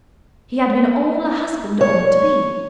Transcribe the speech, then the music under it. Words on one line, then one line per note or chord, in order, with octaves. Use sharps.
He had been all a husband ought to be.
C#5